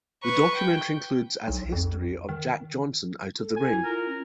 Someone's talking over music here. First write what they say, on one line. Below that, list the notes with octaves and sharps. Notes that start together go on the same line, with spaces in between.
The documentary includes as history of Jack Johnson out of the ring.
B4 C#6
G5
B1
F2
D#3
A4
G#5
E4
F4 A#4
C#4